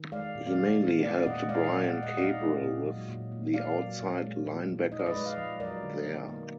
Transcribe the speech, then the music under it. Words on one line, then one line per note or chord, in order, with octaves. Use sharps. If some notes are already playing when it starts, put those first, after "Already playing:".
He mainly helped Brian Cabral with the outside linebackers there.
Already playing: D#3
G#3 D5 F5
A#2
D5 F5
D#4
B3
G#3 D5 F5
A#2 D#5 F#5
G#3 D5 F5
A#2
F#5
A#2
D#5 F#5
D#4 D5 F5
G#3
A#2
F#3
A#2
A#2
A#3 D5 F5
F#3
A#2
G#3
F3
F3
D#4 D#5
D5
B4 D#5
G#3
D5 F5
F3
F#3 A#4 D5
D3
D#4
A#3